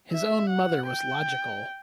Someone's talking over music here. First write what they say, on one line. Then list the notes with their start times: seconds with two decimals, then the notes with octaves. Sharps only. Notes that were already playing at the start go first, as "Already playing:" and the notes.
His own mother was logical.
0.12 E5
0.50 F#5
0.87 G5